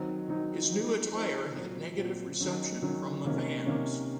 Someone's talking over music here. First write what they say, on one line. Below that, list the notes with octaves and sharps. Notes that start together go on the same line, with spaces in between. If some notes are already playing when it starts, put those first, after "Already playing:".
His new attire had negative reception from the fans.
Already playing: D#3 F#3 C4 D#4
D#3 F#3 C4 D#4
F3 C4 D#4
F3 C4 D#4
A#2 F#3 C4
A#2 F#3 C4
D#3 F#3 C#4
D#3 F#3 C#4
C3 D#3 A#3 C#4
C3 D#3 A#3 C#4